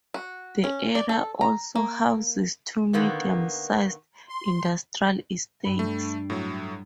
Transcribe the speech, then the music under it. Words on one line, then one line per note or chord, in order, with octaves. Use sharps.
The area also houses two medium-sized industrial estates.
F#4
C#4
D5
A4
A#5
A#3
D3 D#3 A#3 B3
C6
G2 B5
G3 A3
A6 C7 D7
A2 F#3 A#6